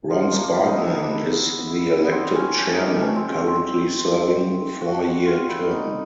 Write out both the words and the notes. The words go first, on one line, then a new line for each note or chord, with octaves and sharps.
Ron Sparkman is the elected chairman, currently serving a four-year term.
F3
A#3
A#3
B3
D#4
E4
D#4
D4
E4
E4
E4
B3
C4
C#4
D4
D#4
D4
C#4
C4
C4
C4
F#4
F4
E4
D#4